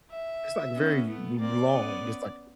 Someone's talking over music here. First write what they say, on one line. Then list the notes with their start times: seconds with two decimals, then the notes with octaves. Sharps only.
it's like very l long, it's like
0.11 E5
0.75 B3 C#4
1.08 A3 B3
1.40 A#3 C4 D5
1.72 B3 C#4